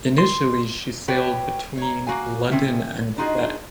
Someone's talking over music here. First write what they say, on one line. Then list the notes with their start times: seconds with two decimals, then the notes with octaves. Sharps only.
Initially she sailed between London and Quebec.
0.18 C6
1.08 F#4 G4 B4 C#5 G5
1.77 C#5 A#5
2.07 A#3 F#4 F5 G#5
2.51 A2 C4 C#4 E5
3.17 D4 D#4 F4 F#4 G#4 D#5